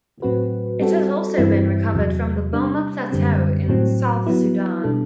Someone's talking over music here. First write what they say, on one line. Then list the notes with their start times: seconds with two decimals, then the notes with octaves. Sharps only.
It has also been recovered from the Boma Plateau in South Sudan.
0.22 A2 F#3 C4 F#4 B4
0.79 G3 C4 F#4 A4
1.38 G2 E3 G3 C4 E4
1.95 E2 C3 F#3
2.53 C3 G3 D4
3.10 F#2 D3 G3 C4
3.68 A2 F#3 C4
4.26 F#3 B3 E4
4.83 B2 G3 D4 A4